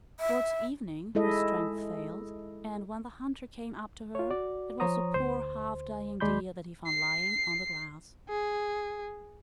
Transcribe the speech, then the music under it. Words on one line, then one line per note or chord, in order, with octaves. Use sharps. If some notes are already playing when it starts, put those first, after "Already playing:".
Towards evening her strength failed; and when the hunter came up to her it was a poor half-dying deer that he found lying on the grass.
E5
G#3 E4 A4 D#5 E5
F4 C#5
F#4 D5
F3 C5 C#5 A#5 D#6
D2 C5
D#2 G#3 D5 B5 C6 G6
C7
G#4